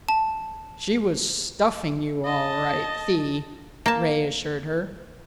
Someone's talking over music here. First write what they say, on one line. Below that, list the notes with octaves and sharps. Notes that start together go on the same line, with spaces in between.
"She was stuffing you, all right, Thee," Ray reassured her.
A5
D#5 A5
A#3 A5